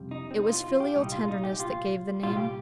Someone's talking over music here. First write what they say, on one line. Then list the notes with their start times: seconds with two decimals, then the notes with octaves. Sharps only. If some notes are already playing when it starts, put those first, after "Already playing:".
It was filial tenderness that gave the name.
Already playing: F2 C3 G3
0.11 D#4
0.31 C4
0.39 D#4
0.48 F4
0.64 F4
0.80 G4
0.96 C2 A#2 G3 D#4
1.12 F4
1.28 D#4
1.44 G4
1.60 F4
2.23 C2 A#2 G3 F4
2.37 G4